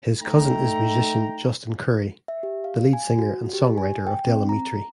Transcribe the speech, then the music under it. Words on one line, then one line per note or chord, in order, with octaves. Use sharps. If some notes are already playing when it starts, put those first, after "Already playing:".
His cousin is musician Justin Currie, the lead singer and songwriter of Del Amitri.
A3 D#4 G5 A#5
E5
G4
F5
G#5
F#4
G4
G#5
G5
C4
A#5